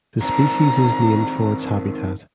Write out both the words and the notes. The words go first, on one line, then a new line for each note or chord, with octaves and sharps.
The species is named for its habitat.
D#3 C4 D4 A#5